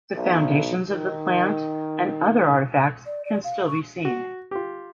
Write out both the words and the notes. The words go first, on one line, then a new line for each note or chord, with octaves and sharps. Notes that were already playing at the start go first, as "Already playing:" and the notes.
The foundations of the plant and other artifacts can still be seen.
B1
D#3
D5
D5
F5
C#6
F#4
F4 G4